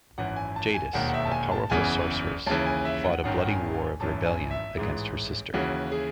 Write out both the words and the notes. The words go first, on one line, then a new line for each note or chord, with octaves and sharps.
Jadis, a powerful sorceress, fought a bloody war of rebellion against her sister.
G#1 F#2 E3 F#5
G#5
A5
G#5
E1 D#2 D#3 F#5
F#5
E5
A5
G#5
A5
F#1 E2 C#3 E3 G#5
D#2 C#3 E3 A5
G#5
E5
F#5
G#1 F#2 D#3 F#5
F#5
G#5
G#5
G#1 F#2 E3 A5
G#5
E5
A1 G#2 E3 G#4
D#2 C#3 E3 F#4
G#4